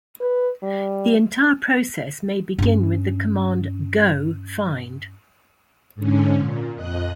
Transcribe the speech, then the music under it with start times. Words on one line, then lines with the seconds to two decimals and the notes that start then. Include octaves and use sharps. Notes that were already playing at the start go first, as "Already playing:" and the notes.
The entire process may begin with the command Go find!
0.21 B4
0.63 G3
2.59 G2 C#4
5.95 G#2 D3 C#4
6.37 A#2
6.76 F2 D#5 F#6